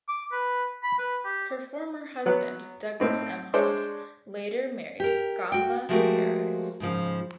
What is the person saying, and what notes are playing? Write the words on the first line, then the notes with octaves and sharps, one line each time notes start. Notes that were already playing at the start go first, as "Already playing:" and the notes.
Her former husband Douglas Emhoff later married Kamala Harris.
D6
B4
B5
B4
G4
F#3 B3 F#6
A2 C4 D#4
G#3 D4 C5 C#5
G4 A#4
F#4 G5
F3 G#3 A3 F#4 G4 A#4
G#2 C#3 F3